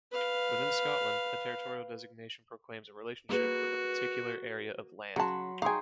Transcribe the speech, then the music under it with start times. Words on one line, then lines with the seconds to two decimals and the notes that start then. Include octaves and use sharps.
Within Scotland, a territorial designation proclaims a relationship with a particular area of land.
0.12 B4 F5
3.29 A#3 F#4 G#4 B4
5.16 C#3 F#3 F#4 F#5 A5 B5 C6
5.62 D#4 G#4 F5 G5 G#5 C6 C#6